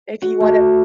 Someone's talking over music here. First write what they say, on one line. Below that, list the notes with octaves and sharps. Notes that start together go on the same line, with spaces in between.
if you want a
F#4
A3